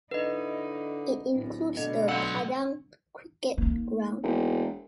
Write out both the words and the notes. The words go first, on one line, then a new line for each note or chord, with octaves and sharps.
It includes the Padang Cricket Ground.
D3 D#4 E4 B4 D#5
D1 A2
B2 D3 A3 D#5
B1 F#5 E6
A#3 D#4
E1